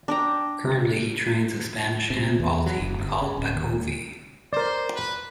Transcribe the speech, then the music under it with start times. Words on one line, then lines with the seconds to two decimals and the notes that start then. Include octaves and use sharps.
Currently he trains a Spanish handball team called Bacovi.
0.08 D4 G5 A#5
2.10 C3
2.40 E2
2.66 F#3
2.80 F#1
2.99 G1
3.22 C#3
3.37 D1
3.54 D#2
4.53 A#4 C5 D5
4.95 B4